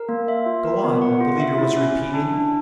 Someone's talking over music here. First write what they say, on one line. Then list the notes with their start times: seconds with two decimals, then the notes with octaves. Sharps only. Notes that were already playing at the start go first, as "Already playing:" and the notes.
"Go on," the leader was repeating.
Already playing: A#4
0.09 A#3
0.28 E5
0.46 F4
0.65 A#4
0.84 B3
1.02 F#5
1.21 F4
1.40 E5
1.58 E4
1.77 C#4
1.95 C#4
2.14 D4
2.33 D4